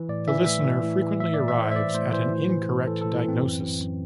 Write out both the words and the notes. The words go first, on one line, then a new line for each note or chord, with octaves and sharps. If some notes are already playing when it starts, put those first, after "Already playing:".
The listener frequently arrives at an incorrect diagnosis.
Already playing: E3
A2 D5
E3 E5
A2 E5
E3
A2
E3
A2 E5
D5
E3
E5
A2 C5
E5
E3 D5
A2 C5
E3 C5
A2
E3
A2
E3 A4
A2 A4
E4
E3 C4
F#2
E3
F#2